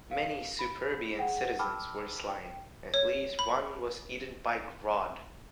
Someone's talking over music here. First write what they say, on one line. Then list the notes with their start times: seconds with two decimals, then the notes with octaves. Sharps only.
Many Superbian citizens were slain, at least one was eaten by Grodd.
0.11 F5
0.59 B5
1.19 G#4 F#5 G5
1.59 G5 A5 B5 D6 E6 F6
2.28 G5
2.94 C#5
3.39 B5